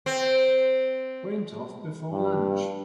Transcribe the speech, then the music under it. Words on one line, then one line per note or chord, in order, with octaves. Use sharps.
Went off before lunch.
C4
G2